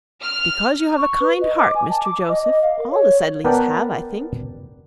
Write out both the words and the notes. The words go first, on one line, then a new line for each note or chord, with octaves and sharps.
"Because you have a kind heart, Mr. Joseph; all the Sedleys have, I think."
F6
C#6
B4
D#5
D6
G#5
A5
D6
D#5
D#5
F5
A#4
C#5
B3 A#4 B4 D5 G5 A5